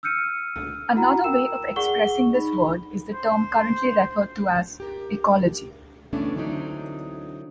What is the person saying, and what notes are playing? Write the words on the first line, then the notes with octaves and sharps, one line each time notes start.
Another way of expressing this word is the term currently referred to as "ecology".
E6 F6 G6 C#7 D#7
E4 F#4 F#5 A#5 B5
A#4 G5 E6 E7
G#4 D5 F#5 C#6 G7
D#4 B5
C5
G4 A#4
C#3 E3 A3 B3 C#4 D4
D3 E3 F#3 C4 D4 D#4